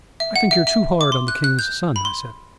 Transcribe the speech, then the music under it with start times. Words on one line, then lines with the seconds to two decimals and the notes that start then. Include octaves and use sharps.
"I think you're too hard on the king's son," I said.
0.20 E5
0.36 F#5
0.51 E5
0.67 E5
1.01 D6
1.12 C6
1.28 F#6
1.44 F#6
1.59 G6
1.96 B5
2.05 C6